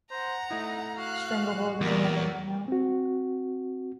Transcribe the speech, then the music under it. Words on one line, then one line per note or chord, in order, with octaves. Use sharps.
Stranglehold is a metal rhino.
C5 F#5 A#5
A3 D#4 E4
F#4 F5 F#6
E2 A#2 G3 A#4 D5 B6
C4 F#4